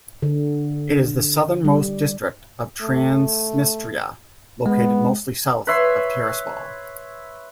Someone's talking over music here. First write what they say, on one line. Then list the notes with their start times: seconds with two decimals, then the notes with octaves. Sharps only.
It is the southernmost district of Transnistria, located mostly south of Tiraspol.
0.22 D3
1.65 G3
2.81 A3
4.66 G#3 B3
5.67 B4 C#5 E5 C6